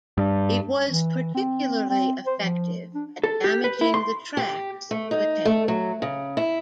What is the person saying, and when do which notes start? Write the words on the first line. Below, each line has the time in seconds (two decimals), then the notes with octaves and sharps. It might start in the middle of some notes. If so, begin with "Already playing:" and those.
It was particularly effective at damaging the tracks of a tank.
0.18 G2
0.89 E3
1.35 C4
1.89 C4
2.26 C5
2.40 F3
2.95 D4
3.24 A4
3.44 G4
3.64 B4
3.81 E4
3.94 C6
4.37 G4
4.91 A3
5.11 D#4
5.45 A3
5.68 F#3
6.02 C#3
6.37 E4